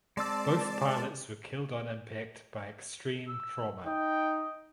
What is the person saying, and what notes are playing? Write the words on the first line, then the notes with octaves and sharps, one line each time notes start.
Both pilots were killed on impact by extreme trauma.
G#3 C4 D5 A5 E6
E6
D#4 D#5 G5